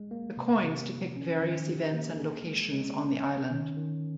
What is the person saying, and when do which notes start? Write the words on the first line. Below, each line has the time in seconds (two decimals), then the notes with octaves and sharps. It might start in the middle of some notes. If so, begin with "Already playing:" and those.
The coins depict various events and locations on the island.
Already playing: G#3
0.11 A#3
0.37 C3
0.64 C3
0.90 F3
1.16 C#4
1.42 D#3
1.68 G4
1.94 A#3
2.20 G#4
2.46 G#3
2.73 G#3
2.98 C#4
3.24 C#4
3.50 D#3
3.77 D#3